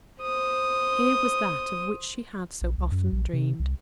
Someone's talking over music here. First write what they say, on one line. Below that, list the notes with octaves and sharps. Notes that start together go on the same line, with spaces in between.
Here was that of which she had so often dreamed.
C5 D#6
A#1
C2
F#2
A#1
C3
C2